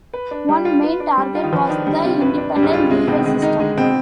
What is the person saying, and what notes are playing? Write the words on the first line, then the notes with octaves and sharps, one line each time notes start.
One main target was the independent legal system.
B4
D4
G3
F4
B4
D4
G3
F4
D#3
F3 B4
D#3 D4
D3 G3
C3 F4
G2 B4
D4
G2 G3
G#2
G2 F4
C3 G#3
B2 C4
D#3
D3 G#3
D#3 D#4
D3 G#3
B2 C4